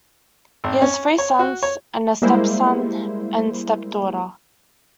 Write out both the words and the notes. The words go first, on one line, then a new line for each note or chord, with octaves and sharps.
He has three sons, and a stepson and stepdaughter.
G#1
C#4
C#5
F#4
C#5
G3 G#3 A#3 E4 C5